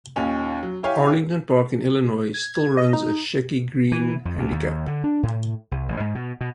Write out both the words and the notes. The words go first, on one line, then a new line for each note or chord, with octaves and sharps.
Arlington Park in Illinois still runs a Shecky Greene Handicap.
D#2 A#2 C#4 D#4
F#3
E4 G4 C#5 F5 G#5
G#6
D#5
D#4
E3
F2
D2
D#2
D3
D4
A2
C2
A1
G#2
B2
B2